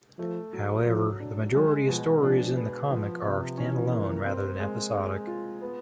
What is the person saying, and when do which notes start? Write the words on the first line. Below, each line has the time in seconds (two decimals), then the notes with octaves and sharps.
However, the majority of stories in the comic are standalone rather than episodic.
0.18 F3 A3
0.53 F#3
0.87 F3 F#3
1.20 D4
1.54 F#3 G#3
1.88 B2 F3
2.22 F3 D4
2.56 B3
2.91 F3
3.25 C3
3.57 E3 C#4
3.92 A#3
4.26 C4
4.60 G#3
4.94 G#4
5.27 F4
5.62 B3